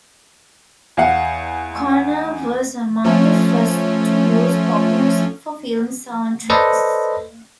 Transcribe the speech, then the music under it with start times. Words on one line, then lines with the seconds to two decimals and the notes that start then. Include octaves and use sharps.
Conner was among the first to use pop music for film sound tracks.
0.97 E2 F5 F#5
3.05 F3 A3 C#4
6.50 A4 B4 C5 D5 D#5